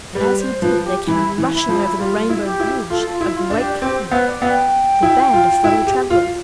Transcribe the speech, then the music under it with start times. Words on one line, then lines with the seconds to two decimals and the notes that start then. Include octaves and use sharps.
And as he did there came rushing over the Rainbow Bridge a great company--the band of fellow travellers.
0.15 G3 B4
0.38 C5
0.61 F3 B4
0.84 G4
1.07 E3 E4
1.38 E3
1.53 E4
1.69 F3
1.75 E4
1.98 G3 F4
2.30 E4
2.44 G4
2.60 E4
2.90 F4 A4
3.12 F4
3.21 E4
3.35 F4
3.50 D4
3.59 G4
3.81 C4 G4
4.04 C5
4.12 B3
4.27 D5
4.42 B3
4.49 G5
5.03 E4
5.33 F4
5.64 E4
5.87 G4
6.10 F4